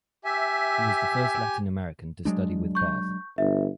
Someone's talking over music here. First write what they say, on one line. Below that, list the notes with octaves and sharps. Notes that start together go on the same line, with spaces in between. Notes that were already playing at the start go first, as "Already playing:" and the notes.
He was the first Latin American to study with Barth.
G4 E5 G#5
F#3 G#3 D4
C#6 G6
G1 E5